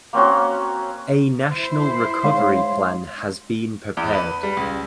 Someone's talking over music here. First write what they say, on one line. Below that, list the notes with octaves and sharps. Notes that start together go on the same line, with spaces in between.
A National Recovery Plan has been prepared.
A#3 C4 C#4 F#4
E4 C5
G#3 D#4 C#5 F5 C6
E2
B4
G3
C#2